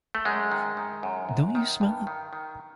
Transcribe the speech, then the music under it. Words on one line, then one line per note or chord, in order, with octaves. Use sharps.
Don’t you smell it?
A3
F#2 G#3
D#3
D#3
F#2
F#2
D#3
G2
D#3
D#3